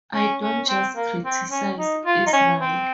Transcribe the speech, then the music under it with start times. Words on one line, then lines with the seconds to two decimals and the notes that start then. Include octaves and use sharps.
I don't just criticize Israel.
0.15 C#4
0.42 C#4
0.68 C4
0.96 A#3
1.24 C4
1.50 C#4
1.78 D#4
2.06 F4
2.26 D#4
2.33 C#4
2.60 C4